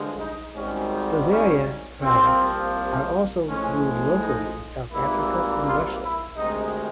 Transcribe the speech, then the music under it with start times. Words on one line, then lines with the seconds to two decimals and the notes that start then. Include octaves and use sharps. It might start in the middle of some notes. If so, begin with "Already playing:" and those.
Bavaria products are also brewed locally in South Africa and Russia.
Already playing: G2 D3 F3 G#3
0.19 D#4
0.55 G#1 G#2 D#3 G3 C#4
1.28 C#4
2.01 C2 C3 F3 A#3 C4
3.46 A2 F3 G#3 C#4
4.19 D#4
4.91 G#1 G#2 E3 G3 A#3 E4
5.64 F4
6.01 E4
6.37 D2 C3 D#3 G#3 D#4